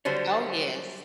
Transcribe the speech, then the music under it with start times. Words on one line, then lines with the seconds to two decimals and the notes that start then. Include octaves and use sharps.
Oh, yes.
0.05 D3 F#3 G3 C5 C#5